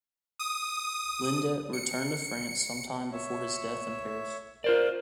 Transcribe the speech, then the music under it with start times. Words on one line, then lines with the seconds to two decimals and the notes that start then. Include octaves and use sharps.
Lindet returned to France some time before his death in Paris.
0.39 D#6
1.73 C#7
3.12 C#5 E5
4.64 F4 A#4 C5 D5